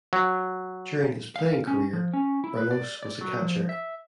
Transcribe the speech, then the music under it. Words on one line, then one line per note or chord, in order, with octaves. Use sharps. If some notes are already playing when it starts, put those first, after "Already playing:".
During his playing career, Ramos was a catcher.
F#3
F5
C#4
F3
C#4
E4
B4
D5
D5
F#3
F3
E5